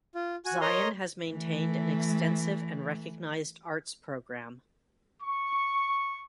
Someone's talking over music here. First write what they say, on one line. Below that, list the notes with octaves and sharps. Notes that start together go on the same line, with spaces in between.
Zion has maintained an extensive and recognized arts program.
F4
F#4 G#5
A#4 C#5 D#5 A#5 C6
E3 A3
C#6